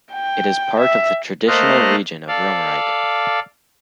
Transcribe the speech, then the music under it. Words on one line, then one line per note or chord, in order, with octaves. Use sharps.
It is part of the traditional region of Romerike.
G5
E5
A3 A#3 C5 D#5 F6 F#6
A4 D5 F5